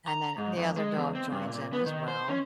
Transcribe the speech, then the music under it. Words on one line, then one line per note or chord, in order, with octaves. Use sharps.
and then the other dog joins in as well.
A#5
G#2
F2
G#3
E2
C4
G2
A#2
B3
D#3
C5
C#4